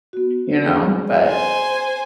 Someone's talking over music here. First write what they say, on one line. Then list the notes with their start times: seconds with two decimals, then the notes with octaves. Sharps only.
You know, but
0.13 B3 F#4
0.66 G#4
1.26 C5 G#5